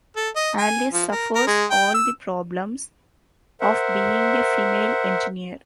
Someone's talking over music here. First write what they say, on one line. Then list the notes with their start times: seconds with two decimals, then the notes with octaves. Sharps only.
Alice suffers all the problems of being a female engineer.
0.16 A4
0.36 D#5
0.58 G#5
0.93 F3
1.12 A#4
1.35 A#4
1.47 G#3
1.71 G5
1.94 E6
3.61 A#4 C5 E5 F#5